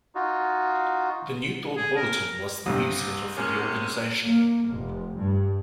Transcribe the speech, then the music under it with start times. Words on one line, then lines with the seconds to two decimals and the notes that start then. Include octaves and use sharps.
The "New Thought Bulletin" was the newsletter for the organization.
0.15 D#4 F4 F#4
1.77 G#4
1.97 A#4
2.66 C2 G2
3.37 C3 A#3 C#4
4.26 A#3
4.69 F1
5.16 G2